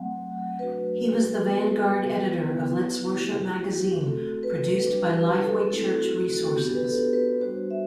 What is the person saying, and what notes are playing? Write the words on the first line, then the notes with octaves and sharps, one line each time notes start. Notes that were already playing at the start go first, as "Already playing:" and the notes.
He was the vanguard editor of "Let's Worship" magazine produced by Lifeway Church Resources.
Already playing: F#3 A3 C4 F#5
F#3 A3 D4 F#4 B4
B3 F#4
B3 E4
A3 E4 G4
F#4
G4
A3 C4 F#4 A4
B4
G3 D4 F#4 B4
G4
A4
A3 C4 E4 A4
F#4
F#4
B3 D4 F#4 G4
B4
A4
B4
G3 D4 F#4 C5
E5